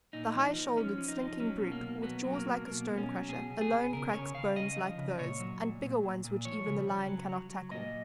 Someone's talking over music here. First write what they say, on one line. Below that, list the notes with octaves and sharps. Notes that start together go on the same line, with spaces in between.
The high-shouldered slinking brute, with jaws like a stone-crusher, alone cracks bones like those and bigger ones which even the lion cannot tackle.
A#2 D#4
F3
F3
F3 C#4
F3
D#4
F3
F#3 C#4
B2
A#3
B2
F#3 B3
F#3
A#3
B2
B2 A#3
B2
C#4
F#3
B2 G#4
B2
G#4
B2
C#3 A#4
C#3 C#5
C#3 F5
C#3 D#5
F3
C#3
A#2 C#5
F#3
A#2
A#2
A#2
A#2
F3 C#5
C#3
C#3
F#3
F#3
F#3
A#2 D#5